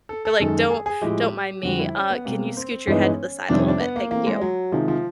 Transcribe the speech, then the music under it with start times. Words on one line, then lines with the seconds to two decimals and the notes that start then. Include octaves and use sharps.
You're like, "Don't don't mind me. Uh, can you scoot your head to the side a little bit? Thank you."
0.09 A4
0.25 A4
0.40 F#2 D#3 G#3 A4
0.71 G#4
0.86 G#4
1.02 A2 F3 G#3 G4
1.63 F2 D3 G3 F#4
1.79 E4
1.95 C#4
2.10 B3
2.25 B2 G3 A#3 C4
2.57 C4
2.71 C4
2.87 G2 E3 G#3 B3 C#4 D#4
3.49 F2 C3 D#3 G3 C4 D4
3.59 C#4
3.68 D4
3.80 B3
3.96 A#3
4.11 E3 A3 A#3 C4
4.27 G#3
4.41 F#3
4.72 C3 D#3 F3 G#3
4.88 F3